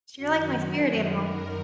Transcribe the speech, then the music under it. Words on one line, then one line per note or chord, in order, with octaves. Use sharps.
You're like my spirit animal.
F#2 D#3 F#4
F#4
A#4